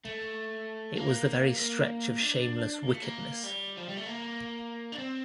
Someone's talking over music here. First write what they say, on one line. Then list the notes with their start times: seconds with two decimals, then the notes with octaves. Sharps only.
It was the very stretch of shameless wickedness.
0.05 A3
0.97 A#3
1.59 A#3
2.20 D4
2.83 A#3
2.93 A3
3.02 A#3
3.44 G3
3.77 F3
3.88 G3
3.97 A3
4.06 A#3
4.92 D4
4.98 C4